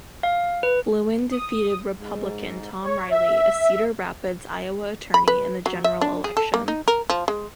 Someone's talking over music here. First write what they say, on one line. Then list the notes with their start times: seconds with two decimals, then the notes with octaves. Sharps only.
Blouin defeated Republican Tom Riley, a Cedar Rapids, Iowa attorney, in the general election.
0.23 F5
0.63 B4
1.32 D#6
1.95 G#2
2.84 C#5
3.11 E5
5.14 B5
5.28 B4
5.66 F#3
5.84 E5
6.01 D4
6.24 G#4
6.37 A4
6.54 A#3
6.68 D#4
6.88 A#4
7.10 F3
7.28 G#3